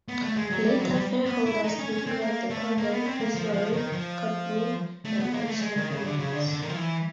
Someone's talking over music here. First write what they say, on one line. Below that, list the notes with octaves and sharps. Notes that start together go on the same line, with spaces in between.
Later fairholders included the Coggan, Fitz Warine, Courtney and Bourchier families.
B3
A3
G#3
F#3
G3
F#3
G3
B3
E4
D#4
C#4
C#4
C4
A#3
A3
A#3
B3
C4
A#3
F3
F3
D#3
F3
A3
B3
A#3
A3
G#3
D#3
C#3
D3
C#3
D3
D3
D#3
F3
E3